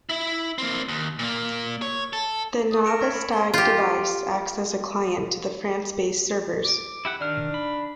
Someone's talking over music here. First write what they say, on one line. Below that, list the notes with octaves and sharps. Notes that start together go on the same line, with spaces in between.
The Nabaztag device acts as a client to the France-based servers.
E4 E5
A#3 C4
D#2
A#2 A#3
C#5
A4
D#6
A#4 C#7 D7 E7
C#6 G#6 B6
B5
C6 G7
F4 G4
D6
E4 G4 F#5
D#3 D4 F6
B5